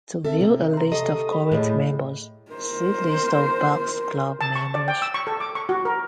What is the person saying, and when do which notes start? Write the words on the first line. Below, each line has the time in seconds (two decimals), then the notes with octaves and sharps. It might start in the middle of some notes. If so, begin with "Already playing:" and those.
To view a list of current members, see list of Buck's Club members.
0.25 C4 A4 E5
0.41 C3
0.74 A#5 C6
0.92 G4 A4 D#5
1.32 B5
1.52 A2 G#4 C#5 D#5
2.51 A#4 C5
4.41 A5
4.56 C#6
4.74 D5
4.88 G5
5.02 E6
5.14 C#6
5.27 A4
5.40 D6
5.55 C#6
5.69 F#4
5.85 A#4